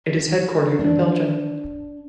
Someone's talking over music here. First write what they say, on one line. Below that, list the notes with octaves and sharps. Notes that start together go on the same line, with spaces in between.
It is headquartered in Belgium.
D4